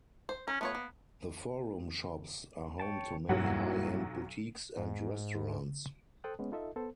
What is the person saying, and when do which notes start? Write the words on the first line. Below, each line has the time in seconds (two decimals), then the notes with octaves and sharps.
The Forum Shops are home to many high-end boutiques and restaurants.
0.29 C5
0.48 C#4 A#4
0.61 A3 B3 F4 C#5
0.75 A#3
2.80 C#5 G5 A5
3.29 B1 G2 F#3 G3 A#3 E4 F#5
4.77 G#2
6.24 A4 C5 G5 A5 D#6 F#6
6.39 G#3 B3 C#4
6.52 D#4 F4 A4 D#5 E5
6.76 B3 A4 C5